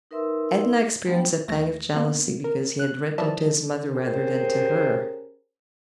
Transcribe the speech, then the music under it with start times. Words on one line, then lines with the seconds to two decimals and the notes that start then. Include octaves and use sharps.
Edna experienced a pang of jealousy because he had written to his mother rather than to her.
0.11 D#4 A#4 B4 E5 C6 E6
1.06 G3 A3 B3 D4 F#5 G5
1.48 D#2 A3 A#6
1.96 D3 A#3 B3
2.44 A#4
2.79 F#6
3.18 E3 F3 G3 D#5 E5 A5
3.91 C#4 G4 G#4 A#4 C5